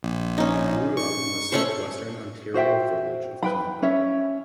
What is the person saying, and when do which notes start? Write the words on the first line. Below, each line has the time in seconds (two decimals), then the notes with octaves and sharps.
He grew up in the southwestern Ontario village of Comber.
0.03 A#1
0.38 C#4 D#4
0.97 C#6 C#7
1.52 A3 C#4 C5
2.54 F#4 C5 E5 G5
3.43 B4 G5 B5
3.82 C#4 C#5 E5